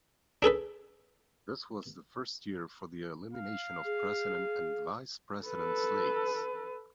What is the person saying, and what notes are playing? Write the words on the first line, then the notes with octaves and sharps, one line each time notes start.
This was the first year for the elimination of President and Vice President slates.
D4 G#4 A4 B4
F5
G#4
A4 B4